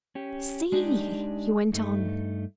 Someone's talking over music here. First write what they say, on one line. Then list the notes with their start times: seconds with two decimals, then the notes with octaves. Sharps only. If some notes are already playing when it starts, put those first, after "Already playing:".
"See!" he went on.
0.15 C#4 G4
0.72 G#3 D4 D#4 G4
1.73 G2 A3 D#4